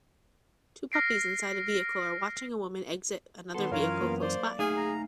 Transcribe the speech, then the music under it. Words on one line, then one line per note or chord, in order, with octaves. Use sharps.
Two puppies inside a vehicle are watching a woman exit another vehicle close by.
F6 A#6 C7 D7
D#3 B3 A4 C6
F#2 E3 F#3 C#4 F4 A#4 C#5 F5
A#3 B3
C5 D5
A3 D#4 G#4 F5 G#5
A#5